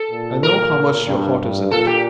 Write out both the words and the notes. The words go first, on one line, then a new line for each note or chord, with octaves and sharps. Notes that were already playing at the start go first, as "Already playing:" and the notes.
I know how much your heart is in it.
Already playing: A4
A#2
A#4
G2
G2
A#2 A4
G4